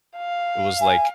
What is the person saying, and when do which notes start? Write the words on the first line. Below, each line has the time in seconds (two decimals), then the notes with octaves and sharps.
it was, like,
0.17 F5
0.81 G#5